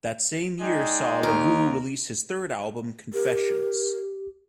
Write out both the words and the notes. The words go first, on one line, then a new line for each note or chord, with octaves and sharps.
That same year saw LaRue release his third album "Confessions".
G#3 D#4 D5 G5
D#2 A#4
G4 A#4